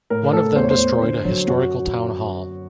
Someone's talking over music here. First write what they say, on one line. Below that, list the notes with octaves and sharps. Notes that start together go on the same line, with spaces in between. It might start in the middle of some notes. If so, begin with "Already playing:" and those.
One of them destroyed a historical town hall.
A2 A#4
A2 A4
E2 C5
C#5
C5
E2
D3 C5
F#3
F#2 F#4